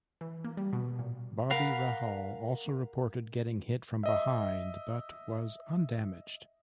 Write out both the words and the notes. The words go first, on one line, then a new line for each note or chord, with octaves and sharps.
Bobby Rahal also reported getting hit from behind, but was undamaged.
E3
A#3
G3
B2
A#2
A#4 F5 F#5 B5
D#5 E5